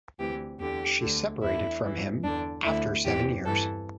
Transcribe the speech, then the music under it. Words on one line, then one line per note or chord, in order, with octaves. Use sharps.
She separated from him after seven years.
D2 C3 E3 G4
E2 D3 G4
D2 D3
E2 D3 E4
G2 E3
E2 D3 D4
D2 D3 E4
E2 C3 E3 G4
G2 E3 A4